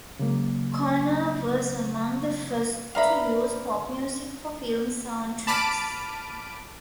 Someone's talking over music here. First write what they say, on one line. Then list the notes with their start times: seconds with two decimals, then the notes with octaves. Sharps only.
Conner was among the first to use pop music for film sound tracks.
0.19 C#3 F#3 G#3 A#3
2.95 D4 B4 E5 F5 A#5 B5
5.47 A5 B5 D6 F6 D7 D#7